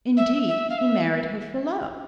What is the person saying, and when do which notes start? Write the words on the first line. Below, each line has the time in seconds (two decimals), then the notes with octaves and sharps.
Indeed, he married her for love.
0.17 E5
0.48 E5
0.70 F5
0.78 E5